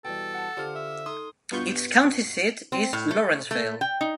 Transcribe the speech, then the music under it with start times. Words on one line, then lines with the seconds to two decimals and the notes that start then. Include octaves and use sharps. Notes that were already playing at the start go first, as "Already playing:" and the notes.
Its county seat is Lawrenceville.
0.05 B2 E3 G3 A4 G5
0.34 F#5 A5
0.57 D3 F4 G4 C5 F6
0.75 E5
1.06 D#4 A4 C6 D#6
1.51 G2 B2 B3 F4 C#6 G6
2.72 C4
2.93 A2
3.11 A3
3.51 A3
3.81 G5
4.01 D#4